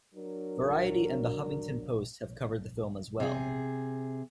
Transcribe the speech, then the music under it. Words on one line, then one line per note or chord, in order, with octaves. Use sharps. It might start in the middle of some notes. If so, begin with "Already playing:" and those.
Variety and The Huffington Post have covered the film as well.
F#3 D4 A#4
C3 G#4